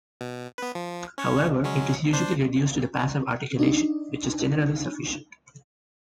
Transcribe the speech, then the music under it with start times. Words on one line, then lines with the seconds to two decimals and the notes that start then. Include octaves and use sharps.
However, it is usually reduced to the passive articulation, which is generally sufficient.
0.21 B2
0.58 B3 B4
0.75 F3
1.18 C#4 C#5
1.64 F#3 G#3 C#4
2.13 D4 C5
3.59 D4 D#4